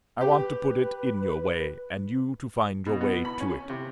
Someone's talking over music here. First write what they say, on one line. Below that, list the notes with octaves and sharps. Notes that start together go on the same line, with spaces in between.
I want to put it in your way, and you to find your way to it.
G4 B4
B2
B3
B5
C#4
C3